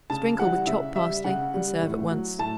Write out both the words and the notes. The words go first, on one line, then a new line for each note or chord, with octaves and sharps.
Sprinkle with chopped parsley and serve at once.
C#3 A5
E3 G3 F#5
C#3 E5
G3 E5
C#3 F#5
G3
A2
F#3
A2 A5